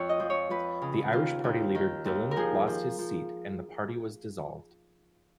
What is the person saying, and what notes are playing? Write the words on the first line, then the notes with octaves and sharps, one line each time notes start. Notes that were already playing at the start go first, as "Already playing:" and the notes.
The Irish Party leader Dillon lost his seat and the party was dissolved.
Already playing: F2 C#5
D#5
F3
C#5
F2 B4
C#3
D#2 F4
D#2
D#3
D#2
A#4
F3 G#4
F3
F3